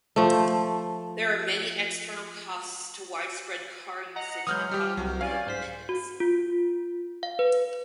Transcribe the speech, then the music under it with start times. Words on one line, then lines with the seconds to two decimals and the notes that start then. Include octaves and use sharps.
There are many external costs to widespread car usage and automobile dependency.
0.16 F3 A3
4.16 D#5 F#5 A#5
4.47 E3 F#3 G#3 D#6 F6 G6
4.71 G3 G4 F6
4.97 C2 F#3
5.21 C#4 D5 F5 G#5
5.47 G#2 C5 B6
5.89 F#4
6.20 F4
7.23 F5
7.39 B4